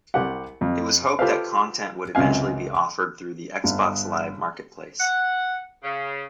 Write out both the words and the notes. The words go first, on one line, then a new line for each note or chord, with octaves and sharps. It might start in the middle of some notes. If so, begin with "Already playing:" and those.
It was hoped that content would eventually be offered through the Xbox Live Marketplace.
C2 G4 F#5
F2
F4 G4 A4 B4 C5 F5
C#2 F#2 C3 F5 G#5
G1
F#5
C#3